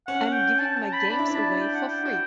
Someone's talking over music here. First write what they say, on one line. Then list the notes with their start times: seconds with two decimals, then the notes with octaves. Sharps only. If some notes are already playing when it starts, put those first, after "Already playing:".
I'm giving my games away for free.
0.07 C#4 F#5
0.33 G5
0.59 A5
0.76 A5
0.93 B5
1.10 D4 B5
1.19 E4
1.28 D4
1.35 A5
1.61 G5
1.75 F#5
1.88 G5
2.05 F#4